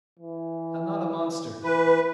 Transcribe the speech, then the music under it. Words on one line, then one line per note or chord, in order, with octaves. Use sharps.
I am not a monster.
E3
E3 B4